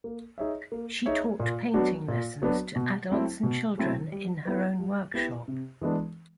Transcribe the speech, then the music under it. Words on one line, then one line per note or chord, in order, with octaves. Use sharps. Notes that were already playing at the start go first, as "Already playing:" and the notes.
She taught painting lessons to adults and children in her own workshop.
A#3
D#4 G#4 C#5 E5
A#3
D#4 G#4 C#5 E5
A#2
F#3 B3 D4 F#4
A#2
F#3 B3 D4 F#4
B2
F#3 A3 C4 E4
B2
F#3 A3 C4 E4
G3
B3 E4 G4 B4
G3
B3 E4 G4 B4
C3
E3 G#3 B3 D4